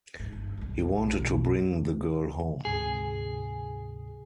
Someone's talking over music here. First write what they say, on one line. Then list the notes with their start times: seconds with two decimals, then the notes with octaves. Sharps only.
He wanted to bring the girl home.
0.20 A1 G#2
0.32 G1 D#3
0.57 B1 G3
1.18 B2
2.65 D2 G#2 C3 G#4